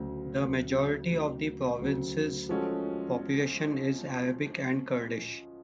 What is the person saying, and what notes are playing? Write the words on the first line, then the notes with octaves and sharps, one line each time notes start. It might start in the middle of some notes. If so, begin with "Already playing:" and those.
The majority of the province's population is Arabic and Kurdish.
Already playing: D2 C#3 F#3
D2 C#3 F#3
D2 C#3 F#3
D2 C#3 F#3
F3 G#3 C#4 F#4 A4